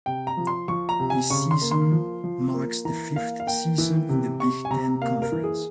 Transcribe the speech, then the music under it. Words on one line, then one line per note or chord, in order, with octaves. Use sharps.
This season marks the fifth season in the Big Ten Conference.
C3 G5
A#5
F3
C6
F3 C#6
A#5
C3
G#5
C#3 C#6
C6
A#3
C6
F3
F3
A#3
E3 A#5
A#3 F5
F5
A#3 G5
E3
C3
C3 C#6
G#5
C3 A#5
A#3 F5
A#4
E3
G#4